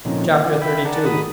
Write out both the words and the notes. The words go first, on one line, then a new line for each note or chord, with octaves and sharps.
Chap. XXXII.
A#2 D3 F3 C4 C#4 D#4
A#3
F4 D5
E5 G5 B5
G#4 A#4 D5 F#5 A5
D#3 B5 D#6